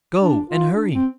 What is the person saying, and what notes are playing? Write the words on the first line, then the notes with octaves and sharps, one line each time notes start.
Go, and hurry.
D4
F4
D4
C4